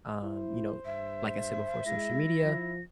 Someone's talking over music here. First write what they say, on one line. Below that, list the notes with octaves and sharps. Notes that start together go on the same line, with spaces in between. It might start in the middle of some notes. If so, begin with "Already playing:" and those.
um, you know, like I said before, social media.
E4 C5
G2 E5
G#3 E4 A#6
F3